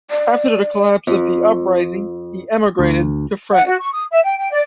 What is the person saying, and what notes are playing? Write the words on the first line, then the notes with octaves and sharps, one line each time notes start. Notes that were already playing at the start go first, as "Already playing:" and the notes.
After the collapse of the Uprising he emigrated to France.
D5
F2
D2
F#5
F#4
C#6
D#6
E5
G5
G5
D5